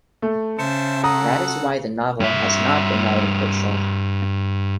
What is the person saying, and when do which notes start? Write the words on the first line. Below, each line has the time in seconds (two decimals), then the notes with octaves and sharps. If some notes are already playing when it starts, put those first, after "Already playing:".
That is why the novel has not been artificial.
0.22 A3 A4
0.59 C#3 C5 E5 A5 C#7
1.04 A4 F#5 A#5 D#6
2.20 G2 E5